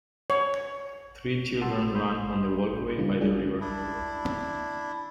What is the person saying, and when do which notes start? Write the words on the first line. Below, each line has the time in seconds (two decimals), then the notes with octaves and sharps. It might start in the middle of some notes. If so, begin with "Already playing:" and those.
Three children run on the walkway by the river.
0.30 C#5
1.61 F#5 A5 C6 E6
1.95 B5 C6 D#6 G6
2.97 C#3 F3 G3 D4 E4 F4
3.20 G3 G#3 C#4 D4 F4 G#4
3.61 D4 E4